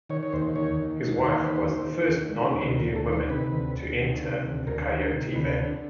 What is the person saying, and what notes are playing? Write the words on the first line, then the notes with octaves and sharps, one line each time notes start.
His wife was the first non-Indian woman to enter the Coyote Valley.
D#3 C#5
C#5
D#2 C5
D#3 C#5
D#2
D#3
D#2 C#5
C5
D#3 B4
C5
D#2
D#3
D#2
D#3
D2 B4
A#4
D2
A4
D#3
C5
C3 B4
D2
D2
D#3
C3
D2
D2 A#4
D#3
A#4
C3
D2 B4
D3